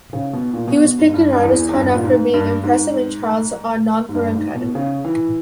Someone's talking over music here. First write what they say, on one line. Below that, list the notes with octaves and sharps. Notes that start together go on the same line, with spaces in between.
He was picked in Rajasthan after being impressive in trails on Nagpur Academy.
C#3
B2
A#2
B2
B2
G#2
G#2
G2
G2
E2
E2
G2
A#2
G#2
G2
G#2
G#2
G2
G#2
B2
C#3
E3